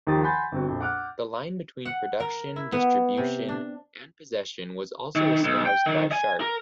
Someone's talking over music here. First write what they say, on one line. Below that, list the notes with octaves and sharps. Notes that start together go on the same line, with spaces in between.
The line between production, distribution, and possession was also espoused by Sharpe.
D#2 D#3 F3 G4 D#6 A6
F#5 G#5 B5 C6 G6 A6
G1 C4 F#4
A#1 F2
F#5 D6 F6 F#6
F#5
A#4
E4
B3
C3
D4
D#3
B1
G5
D#3
G#5
A#4